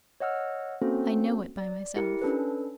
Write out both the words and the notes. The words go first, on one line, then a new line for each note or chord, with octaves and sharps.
I know it by myself.
C#5 D#5 F#5 E6 F6
A#3 C4 C#4 F#4 A4 C5
D5
E4 G4 A#4 C#7
C#4 D4 A4 B4